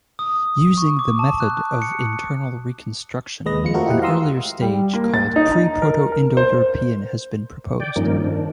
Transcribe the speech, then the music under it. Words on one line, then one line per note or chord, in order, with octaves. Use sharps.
Using the method of internal reconstruction an earlier stage, called Pre-Proto-Indo-European, has been proposed.
D#6
C#6
D6
A5
F#6
C#7
D#2 G#3 B4 D#5 A#6
F2 G#3 F4 C#7
A3 F4 F#4 A4 A#4 C5
E4 G4 D#5 F#5
F5 A#5 C6 D#6 E6
G3
A#3
A6
D#4
A#5
A#4
A#4
C5
D5 G5
G2 D#3 F3 A#3 C#4 D#4
D#3 D4